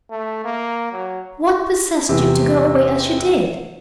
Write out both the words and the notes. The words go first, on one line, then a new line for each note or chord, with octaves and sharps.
What possessed you to go away as you did?
A3
A#3
F#3
E2 C3